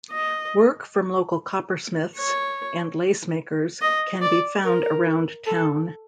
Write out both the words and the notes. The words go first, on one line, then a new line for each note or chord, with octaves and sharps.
Work from local coppersmiths and lacemakers can be found around town.
D#5
C#5
D#5
D5
A#4
A4